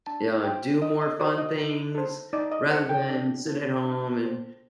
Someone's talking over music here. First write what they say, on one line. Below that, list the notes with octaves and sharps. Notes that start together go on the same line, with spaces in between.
you know, do more fun things rather than sit at home, and
D4 A5
F#4 A4 C5 G5
D4 D#5
D#5
F#4 A4 C5 D5
D#5
D#4
A4 C5
D#4 D5
D#5
A4 C5 F#5
G5
D4
A4 C5
D4
A4 C5